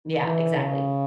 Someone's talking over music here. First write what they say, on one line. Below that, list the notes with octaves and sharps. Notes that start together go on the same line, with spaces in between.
Yeah, exactly.
E3
C#3